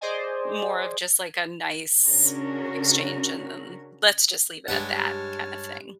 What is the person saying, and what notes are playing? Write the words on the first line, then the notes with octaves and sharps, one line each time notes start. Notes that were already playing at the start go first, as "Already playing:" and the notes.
more of just, like, a nice exchange and and let's just leave it at that, kinda thing.
G#4 C5 D5 D#5 G#5
C#3 C#4 D4 F#4 A#4
G2 G#3 B4 C#5 F#5 A5 F6